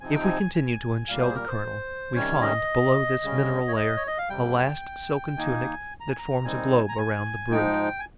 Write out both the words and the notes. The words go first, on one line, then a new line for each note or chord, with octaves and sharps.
If we continue to unshell the kernel, we find, below this mineral layer, a last silken tunic that forms a globe around the brood.
C3 F3 C4 D#4 G#5
G5
G#5
G#5
A#2 G3 A#3 F5
C5
G#4
A#4
C5
C3 D#3 G3 C#4 C#5
D#5
C#3 G3 C#4
C#5
D#5
C#5
D#5
F5
F2 C3 G3 G5
D#3 A#3 D#4 G#5
A#5
G#5
A#5
D#3 G3 C4 D#4 G#5
A#5
G#5
G#2 F3 G#3 D#4 G5
G#5